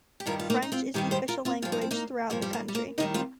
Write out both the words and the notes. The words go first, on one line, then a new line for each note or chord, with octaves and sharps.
French is the official language throughout the country.
G4
G2 D#3 G3 F4 A#4
F4
A#3 D#4
D#4
C4 F4
G2 D#3 G3 D#4 G4
G4 C5
F4 A#4
C4 F4
G2 F3 F4
D#4
C4
A#3 D#4
G2 F3 A#3
G3
A#3
G3
A#3
D#2 D#3 G3 A#3 D#4
C4 F4